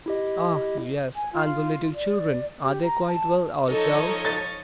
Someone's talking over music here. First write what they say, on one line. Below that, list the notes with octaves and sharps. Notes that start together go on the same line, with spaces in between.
Ah, yes! and the little children-are they quite well also?
E4 G4 D#5
G#5
F4
D5
G4
A#5
A5
F3 D#4 A4 C#5 D#5
A6